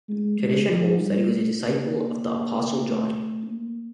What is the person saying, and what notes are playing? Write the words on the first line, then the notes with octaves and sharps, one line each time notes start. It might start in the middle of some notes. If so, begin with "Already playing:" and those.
Tradition holds that he was a disciple of the Apostle John.
G#3
G#3
F3
G3
A3
A#3
A3
A#3